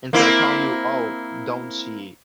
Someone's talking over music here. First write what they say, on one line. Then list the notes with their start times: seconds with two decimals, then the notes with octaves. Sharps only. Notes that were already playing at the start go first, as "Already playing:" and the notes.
instead of telling you, "Oh, don't cheat,"
0.13 A#3 C4 E4